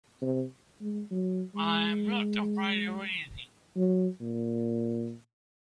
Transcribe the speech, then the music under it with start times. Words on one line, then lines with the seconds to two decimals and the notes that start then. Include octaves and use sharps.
I'm not afraid of anything.
0.22 C3
0.81 G#3
1.11 F#3
1.55 G#3
3.76 F#3
4.21 A#2